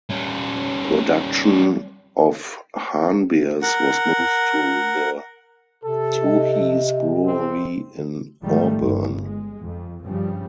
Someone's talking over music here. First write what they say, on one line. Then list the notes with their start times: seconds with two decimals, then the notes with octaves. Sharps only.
Production of Hahn beers was moved to the Tooheys brewery in Auburn.
0.10 G3 C#4
3.62 A#4 F#5
5.85 C3 A4
6.23 D#5
7.26 C2 C4
8.42 G#2 D#3 F3 G3 A3
8.80 G1
9.22 G#3
9.62 F2
10.05 G2 C#3 F3 G3